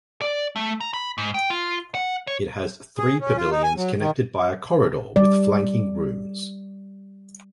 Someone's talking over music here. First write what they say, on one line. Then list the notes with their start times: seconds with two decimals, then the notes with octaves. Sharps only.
It has three pavilions connected by a corridor with flanking rooms.
0.21 D5
0.56 A3
0.81 A#5
0.94 B5
1.18 G#2
1.34 G5
1.50 F4
1.95 F#5
2.27 C#5
2.98 G#4
3.21 C#4
3.37 F4
3.51 D#4
3.64 G#5
3.77 F#3
3.99 D#3
5.16 G3 D5